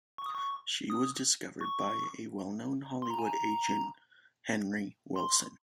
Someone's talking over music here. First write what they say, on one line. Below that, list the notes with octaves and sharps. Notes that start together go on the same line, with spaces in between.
She was discovered by the well-known Hollywood agent Henry Willson.
C#6
D#6
C#6
D#6
C#6
C6
A#5
G#5
A#5
C6